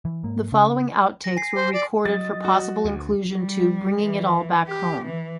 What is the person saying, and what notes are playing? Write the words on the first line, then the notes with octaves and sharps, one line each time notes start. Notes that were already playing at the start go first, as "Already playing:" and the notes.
The following outtakes were recorded for possible inclusion to "Bringing It All Back Home".
E3
G#2 A#3
C#3
A#6
G#5 C7
C5
D5
F#3 D#5 A6
F#4
D2
G3
E3
G4
E3